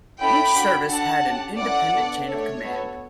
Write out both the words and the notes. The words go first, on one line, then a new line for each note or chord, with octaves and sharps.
Each service had an independent chain of command.
C#4 E4 A4 G5 B5
D4 F#4 A4
D4 A4 F#5 A5
C#4 G4
C#4 E4 A4 D5 F#5
B3 D4 A4
A3 D4 A4 C#5
B3 F#4 A4